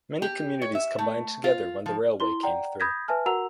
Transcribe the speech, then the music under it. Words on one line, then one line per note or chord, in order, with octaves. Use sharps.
Many communities combined together when the railway came through.
G4
C#5
E5
A3
F4
F3
E4 C6 G7
D5 F#5 G5 A#5
B5 D#6 G6 G#6 A#6 B6
B4 E5 G#5 A5 F6
F#4 A#4 F#5 A#5 E6 F7